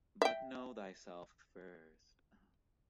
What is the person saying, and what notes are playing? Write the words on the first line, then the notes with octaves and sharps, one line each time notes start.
But know thyself first.
E5 G5